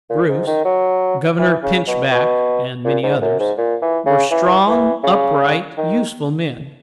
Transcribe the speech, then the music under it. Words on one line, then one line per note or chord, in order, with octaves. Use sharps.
Bruce, Governor Pinchback, and many others, were strong, upright, useful men.
A#2
G#2
D#3
F#3
E3
C#3
B2
B2
A#2
G#2
F#2
G#2
A#2
E3
C#3
E3
E3
C#3
D#3